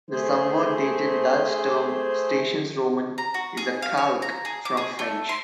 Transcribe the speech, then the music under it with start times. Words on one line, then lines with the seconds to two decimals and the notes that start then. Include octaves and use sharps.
The somewhat dated, Dutch term 'stationsroman' is a calque from French.
0.10 A3 G#4 C5
3.18 A#5
3.34 F#4
3.57 G#4
3.82 F5
3.97 C#5
4.22 A#5
4.45 G#4
4.65 D6
4.77 G#4
4.99 A3
5.29 C6